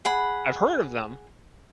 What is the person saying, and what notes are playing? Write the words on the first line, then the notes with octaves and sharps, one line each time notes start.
I've heard of them
G#4 F#5 B5